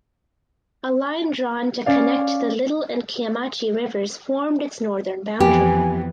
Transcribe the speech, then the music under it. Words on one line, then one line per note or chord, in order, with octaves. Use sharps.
A line drawn to connect the Little and Kiamichi rivers formed its northern boundary.
C#4 D5 F5
F2 E3 B3 G4 G#5